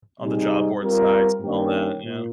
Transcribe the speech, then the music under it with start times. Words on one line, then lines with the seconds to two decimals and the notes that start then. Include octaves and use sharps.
On the job board sites and all that, yeah.
0.20 C3 G3 C4 D#4 G#4
0.81 G3 C4 F4 A#4
1.42 G2 D#3 A#3 C#4 G4
2.03 A#2